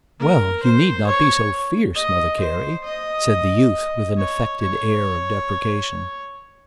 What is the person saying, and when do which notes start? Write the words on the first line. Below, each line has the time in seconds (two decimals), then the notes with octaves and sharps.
"Well, you need not be so fierce, Mother Carey," said the youth with an affected air of deprecation.
0.19 A#4
0.63 C5
1.07 C#5
1.95 D#5
2.40 C5
2.84 D#5
4.17 C#5
4.61 C#5